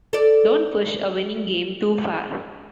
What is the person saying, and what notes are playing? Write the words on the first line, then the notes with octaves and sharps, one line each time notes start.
Don't push a winning game too far.
A4 D5